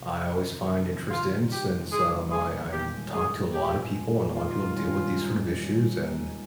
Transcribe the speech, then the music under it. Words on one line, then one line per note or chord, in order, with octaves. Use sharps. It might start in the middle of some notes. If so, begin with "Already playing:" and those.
I always find interest in since, um, I I talk to a lot of people and a lot of people deal with these sort of issues and
Already playing: C3
F2
C3
D#3
F2
F2
G2 F4
D#3
A#3 G4
G1
G2 G#4
D#3
A#3 G#4
G1
A#2 G4
G#3
C4 G#4
A#1
A#2 G4
G#3
C4
A#1
D#3 F4
G3
C#4
G2
D#3
G3
C#4
G2
D#3
G#3